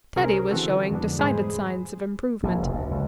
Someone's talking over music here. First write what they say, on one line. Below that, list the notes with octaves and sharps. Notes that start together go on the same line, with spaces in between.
Teddy was showing decided signs of improvement.
C2 C#4 G#4 A#4 C5
D3 E3 C4 F#4 A4
F2 D3 G#3 B3 D4
E2 G#2 G#3 G#4 C5 B5
A#1
F1
D2
C#2